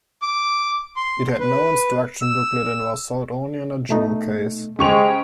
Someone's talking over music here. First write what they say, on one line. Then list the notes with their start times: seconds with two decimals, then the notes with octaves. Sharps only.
It had no instruction booklet and was sold only in a jewel case.
0.22 D6
0.96 C6
1.40 B4
2.21 E6
3.89 B2 A3 D#4
4.79 C#3 G#3 G4 C5 G5 C#6 F7